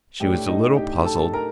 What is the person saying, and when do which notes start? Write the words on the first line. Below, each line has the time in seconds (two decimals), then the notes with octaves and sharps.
She was a little puzzled.
0.20 A2 A3 D4 G4 G5
0.48 D#4 D#5
0.76 G4 G5
1.05 A4 A5
1.34 A#4 A#5